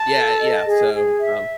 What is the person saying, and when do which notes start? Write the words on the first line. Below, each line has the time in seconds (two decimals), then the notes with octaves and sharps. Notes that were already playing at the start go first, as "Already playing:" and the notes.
Yeah, eh yeah, so, um
Already playing: A5
0.13 A4
0.40 D#5
0.66 G#4
0.94 G#4
1.20 E5